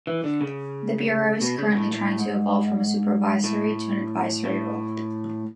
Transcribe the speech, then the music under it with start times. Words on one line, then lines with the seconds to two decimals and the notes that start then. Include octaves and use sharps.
The Bureau is currently trying to evolve from a supervisory to an advisory role.
0.07 E3
0.24 D3
0.41 C#3
1.42 B2
1.58 C#3
1.75 A2
1.92 A2
2.18 G#2
3.44 A2
4.45 A2